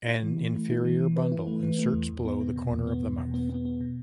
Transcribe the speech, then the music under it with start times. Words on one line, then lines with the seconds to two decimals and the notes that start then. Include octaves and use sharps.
An inferior bundle inserts below the corner of the mouth.
0.07 E4
0.23 E3
0.38 E3
0.54 A3
0.70 E4
0.85 E3
1.01 E3
1.16 B4
1.32 E4
1.47 A3
1.63 E3
1.79 A3
1.94 E2
2.09 E2
2.25 B3
2.40 B2
2.56 B2
2.71 E2
2.87 B3
3.03 E2
3.18 B2
3.34 B3
3.49 B3
3.65 B3
3.81 B2